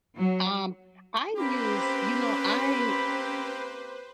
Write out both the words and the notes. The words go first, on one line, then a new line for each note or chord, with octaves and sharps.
Um, I use, you know, I
F#3
A#3 C4 C#4 G4 B4 C5 B5